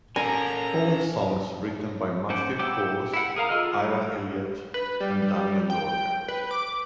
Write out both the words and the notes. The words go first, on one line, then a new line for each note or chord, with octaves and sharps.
All songs written by Matthew Caws, Ira Elliot and Daniel Lorca.
C#4 A4 A#4 G#5 A#5
C#4 C5 F#5 D6
E5 F#5 G5 D6
E4 F#5
G#4 A#4 F5 A#5
F4 G#4 A4 D#5 F6
F#3 G3
B4
G3
G3
G5
B4
D6